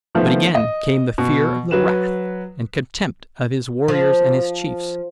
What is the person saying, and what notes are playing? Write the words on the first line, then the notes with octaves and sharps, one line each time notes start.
But again came the fear of the wrath and contempt of his warriors and his chiefs.
D#3 F3 A3 B3
D#5
B2
F#3 B4 E7
F3